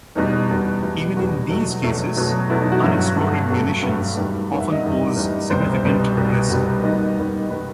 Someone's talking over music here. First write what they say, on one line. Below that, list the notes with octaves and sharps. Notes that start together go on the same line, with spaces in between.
Even in these cases, unexploded munitions often pose significant risk.
E2 B2 G3 B3 D#4
E2 B2 G3 B3
E2 B2 G3 B3 E4
E2 B2 G3 B3 F#4
E2 B2 F#3 A3
E2 B2 F#3 A3
E2 B2 F#3 A3
E2 B2 F#3 A3 E4
D#4
F#4
G2 F#3 A3
G2 F#3 A3
G2 F#3 A3 F#4
G2 F#3 A3 B4
E2 D#3 G3 B4
E2 D#3 G3 F#5
E5
D#5
E2 D#3 G3
E2 D#3 G3
C2 B2 G3 B3 C5
C5
C2 B2 G3 B3
C2 B2 G3 B3
C2 B2 G3 B3 F#4
D#2 D#3 G3 B3 D#5
D#2 D#3 G3 B3
D#3 G3 B3 B4